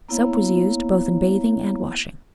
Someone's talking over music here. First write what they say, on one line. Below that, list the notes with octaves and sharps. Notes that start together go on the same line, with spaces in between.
Soap was used both in bathing and washing.
A#3 B3 E4 C#5 F5 A#5